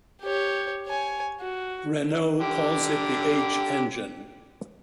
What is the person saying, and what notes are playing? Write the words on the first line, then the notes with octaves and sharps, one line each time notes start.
Renault calls it the H engine.
G4 C#5
C#5 G#5
F#4
D3 G4